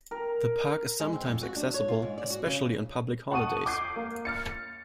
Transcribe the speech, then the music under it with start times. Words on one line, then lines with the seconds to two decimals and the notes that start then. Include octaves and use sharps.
The park is sometimes accessible, especially on public holidays.
0.11 A#4
1.00 G#3
1.13 C4
1.26 F2
1.43 F#4
1.56 D4
1.74 C#5
1.88 F4
2.02 G#2
2.18 D5
2.30 F#4
2.46 C#3
3.31 F#5 A5 C#6 D#6 D#7
3.66 D6 G6 C7
3.96 A#3
4.25 F6 A6 C#7